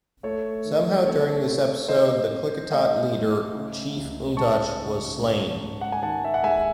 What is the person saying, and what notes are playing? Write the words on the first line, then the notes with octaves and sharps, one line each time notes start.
Somehow during this episode the Klickitat leader, Chief Umtuch, was slain.
A3 A4 C#5
D#3
C4 A4 C#5
C4
D#3 C5 D#5
C4
A3 D#5 F#5
A3
C#3
C#2
G#3 A5 C#6
C#3
G#2
G#2
F#5
G#5
D#3 F#5 A5
E5
F#5
G#3 E5 G#5